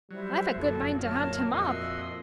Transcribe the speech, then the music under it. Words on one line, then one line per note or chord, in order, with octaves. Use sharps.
"I've a good mind to hunt him up."
F#3 G3 E4 C5
G1 F#2 A#2 G4 A4
A#3 C#5 A5 F6
F2 F#4 D#5 E5 C6 E6